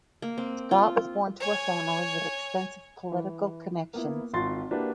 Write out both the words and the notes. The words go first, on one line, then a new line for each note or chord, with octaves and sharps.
Scott was born to a family with extensive political connections.
A#3
C4
F4
C#5 G#5
E3
A#3 B3 E4
G#1 F4 C6 A6
A#3 D4 E4 F#4 G4 B4